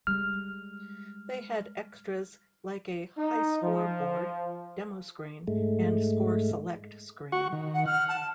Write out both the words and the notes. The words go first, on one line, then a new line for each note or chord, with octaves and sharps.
They had extras like a highscore board, demo screen, and score select screen.
G3 G#3 F6
D#4
F3
G#2 G#3 A3
F#4 F#5 C#6
D#3
F#5
F#5 F6
A5